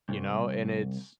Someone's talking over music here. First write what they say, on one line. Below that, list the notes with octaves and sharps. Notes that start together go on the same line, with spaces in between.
you know? And it's
C2